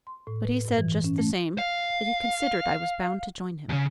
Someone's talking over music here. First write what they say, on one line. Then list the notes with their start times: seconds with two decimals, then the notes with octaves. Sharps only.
But he said just the same!--that he considered I was bound to join him.
0.07 C6
0.27 A2
0.43 B4
0.65 G2
0.78 E3
1.04 C#4
1.18 A3
1.58 F5
3.69 D#2 C#3